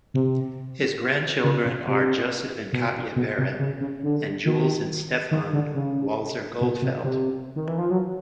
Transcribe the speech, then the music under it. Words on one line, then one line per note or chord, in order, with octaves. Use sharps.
His grandchildren are Joseph and Katya Barrett, and Jules and Stefan Walzer-Goldfeld.
C3
C#3
B2
C3
B2
B2
C3
C#3
C#3
D3
D#3
D#3
D3
C#3
B2
C3
C3
D#3
E3
F3
F#3